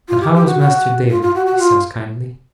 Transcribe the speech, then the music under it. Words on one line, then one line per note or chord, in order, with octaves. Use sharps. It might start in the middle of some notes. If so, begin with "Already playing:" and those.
'And how is Master David?' he says, kindly.
F4
G4
G4
F#4
F#4
F4
F4
F#4
F#4
F4